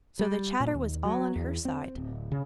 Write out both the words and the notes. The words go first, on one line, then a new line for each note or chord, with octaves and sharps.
So the chatter was all on her side.
G3
A#2
D#2
F#3
E2
C4
D1
C#3